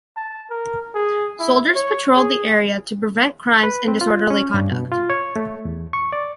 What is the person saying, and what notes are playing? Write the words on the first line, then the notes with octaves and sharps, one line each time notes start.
Soldiers patrolled the area to prevent crimes and disorderly conduct.
A5
A#4
G#4
E4
C#5
G#4
B4
C4
F4
C#4
G2
B2
F4
C#5
A3
E2
C#6
D5